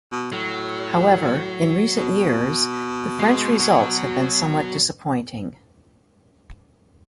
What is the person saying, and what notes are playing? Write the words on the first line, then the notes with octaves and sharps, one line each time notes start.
However, in recent years, the French results have been somewhat disappointing.
B2
A2 F#3
B2
G#3
F#3